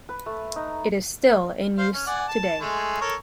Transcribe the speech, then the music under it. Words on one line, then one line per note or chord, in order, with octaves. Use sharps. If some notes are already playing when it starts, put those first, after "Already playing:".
It is still in use today.
B4
A3
D#4
C5 F5
C#4
D5 F#5 G#5
A5
G#3 A3 G#4
A4 A#4 C#5